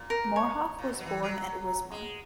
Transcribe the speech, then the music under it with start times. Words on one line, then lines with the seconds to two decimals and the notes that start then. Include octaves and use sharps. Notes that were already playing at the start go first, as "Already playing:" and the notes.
Morhof was born at Wismar.
Already playing: A#2
0.10 A#4
0.36 C#5
0.78 A#2
0.89 B2
1.00 F#3
1.06 E3
1.23 F#3
1.91 G#3